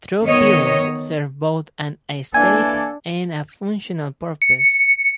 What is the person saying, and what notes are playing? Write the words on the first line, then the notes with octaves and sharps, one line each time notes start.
Throw pillows serve both an aesthetic and a functional purpose.
D#3 B3 C#5 D#5
E3 A#3 D4 A4 G#5 G#6
C#7